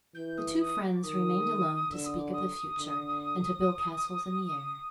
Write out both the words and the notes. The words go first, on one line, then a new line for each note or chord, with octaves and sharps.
The two friends remained alone to speak of the future and to build castles in the air.
E3 G6
D#6
D#6
D6
D#3 D#6
D3 E6
D#6
D6
D#6
D3